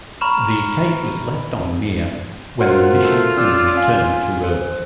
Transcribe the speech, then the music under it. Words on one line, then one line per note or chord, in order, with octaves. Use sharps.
The tape was left on Mir when the mission crew returned to Earth.
A#5 B5 C#6 F6 E7
F4 F#4 A#4 C5 F#5
A3
C#4 D5 E6
F5 G#5
C5